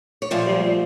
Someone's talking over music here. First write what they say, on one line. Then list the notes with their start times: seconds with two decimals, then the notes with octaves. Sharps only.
it did
0.22 C#5
0.31 A#2 F3 A3 C5